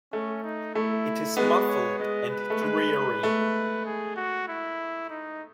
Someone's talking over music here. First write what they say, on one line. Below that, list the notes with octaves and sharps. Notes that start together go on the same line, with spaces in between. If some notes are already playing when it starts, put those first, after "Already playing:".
It is muffled and dreary.
A3 C#4
D#4
A3 E4
G#3 B3 F#4
C#5
G#3 D#5
B4
A3
G#3
A3
G#4
F#4
E4
D#4